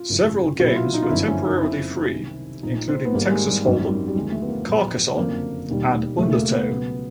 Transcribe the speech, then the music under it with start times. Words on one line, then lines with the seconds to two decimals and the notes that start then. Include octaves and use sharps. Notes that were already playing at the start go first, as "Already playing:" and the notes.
Several games were temporarily free, including "Texas Hold 'em", "Carcassonne", and "Undertow".
Already playing: F4
0.09 G#1 F#2 C#3 E3
0.59 B1 A#2 F#3 F#4
0.68 E4
0.76 F4
0.94 D#4
1.02 F4
1.10 G1 F#2 D3 F3 E4
1.27 C#4
1.45 D#4
1.61 F#1 F2 C#3 F3 E4
2.11 C2 C3 D#3
2.63 A#1 A#2 F3 D#4
2.88 C4
3.05 B3
3.14 G#1 G#2 D#3 G3 A#3
3.26 G3
3.30 G#3
3.47 G3
3.65 G#1 F#2 D#3 F#3
4.08 G3
4.15 D#2 D3 F3 G#3
4.32 A3
4.42 B3
4.49 A#3
4.67 A#1 A2 F#3 B3
5.17 F#1 F2 D3 F#3 A#3
5.68 E1 D#2 D#3 G3
6.18 E1 D#2 C#3 A3
6.29 A3
6.36 A#3
6.52 B3
6.69 C#2 B2 F#3